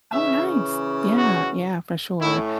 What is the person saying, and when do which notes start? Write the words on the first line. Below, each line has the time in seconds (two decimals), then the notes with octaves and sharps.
Oh, nice. Yeah, yeah, for sure.
0.11 C#3 E3 C#4 E5
1.17 F#4
2.20 A2 A3 C#4 E4